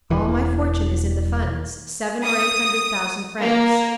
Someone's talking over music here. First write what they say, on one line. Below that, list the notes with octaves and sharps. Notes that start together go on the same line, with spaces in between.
"All my fortune is in the funds; seven or eight hundred thousand francs."
E1 E3
D#6
A#3